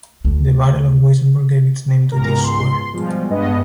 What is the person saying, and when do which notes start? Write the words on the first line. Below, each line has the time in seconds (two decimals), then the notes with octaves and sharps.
The Battle of Weissenburg gave its name to this square.
0.25 D2
2.12 C#2 G#2 B2 A#4 A#5
2.44 C6
2.94 B2 F3 G3 G#3
3.30 G2 B3 D#5